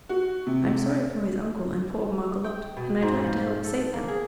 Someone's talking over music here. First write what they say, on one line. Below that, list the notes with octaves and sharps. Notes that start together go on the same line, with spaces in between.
I'm sorry for his uncle and poor Margolotte and I'd like to help save them.
F#4
C3
G5
B2
G#2
F3
A4
A#3
G#4